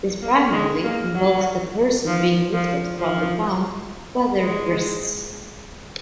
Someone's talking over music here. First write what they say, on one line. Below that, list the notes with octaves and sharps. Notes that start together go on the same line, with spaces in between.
This primarily involves the person being lifted from the ground by their wrists.
A#3
G#3
A#3
F#3
F3
F3
F3
G#3